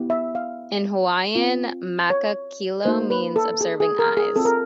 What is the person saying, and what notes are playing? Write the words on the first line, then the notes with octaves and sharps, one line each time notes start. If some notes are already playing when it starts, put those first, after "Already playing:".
In Hawaiian, "maka kilo" means "observing eyes".
Already playing: B3 E4 G4
E5
F5
C4 F4
C#5
A#3 D#4 F#4 C5
B4
A4
G#4
G#4
A#4
G#4
C4 F4 A4
A#4